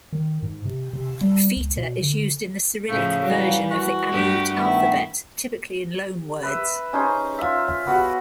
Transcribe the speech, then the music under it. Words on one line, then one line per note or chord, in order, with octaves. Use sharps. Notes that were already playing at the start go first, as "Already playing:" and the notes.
Fita is used in the Cyrillic version of the Aleut alphabet, typically in loanwords.
D#3
G#2
C3
C3
G3
C#2
B2
D3
A2 C#3 F3 A3 F5
E3 F#3 G3
F#4 A#4
G2 A3 G4 A#4
D#3 A3 B3 E4
B4 E5
C#4 D#4 G#4 C5
F4 E5
B3 F#4 B5